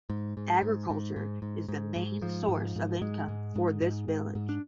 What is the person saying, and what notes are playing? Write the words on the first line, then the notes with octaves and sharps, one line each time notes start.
Agriculture is the main source of income for this village.
G#2
G#2
G#2
G#2
G#2
G#2
G#2
G#2
G#2 F3
G#2
G#2
G#2 G#3
G#2
G#2
G#2
G#2
G#2
D4